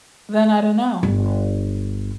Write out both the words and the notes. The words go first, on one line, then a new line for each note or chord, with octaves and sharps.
Then I don't know,
G1 D3